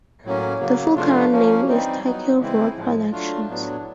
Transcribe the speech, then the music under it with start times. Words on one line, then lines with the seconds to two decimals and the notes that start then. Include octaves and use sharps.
The full current name is Taki Rua Productions.
0.25 A2 F#3 A#3 C#4
0.60 C#3 F#3 A#3
0.96 C3 F3 A3 D4 F4
1.32 F3 A#3 C#4
1.68 E3 G3 C4 D#4
2.04 F#3 B3 D#4
2.40 C#3 E3 G#3 C4 E4
2.76 A2 F3 G#3
3.12 F#3 A3 D4 F4
3.48 A2 F#3 B3 D4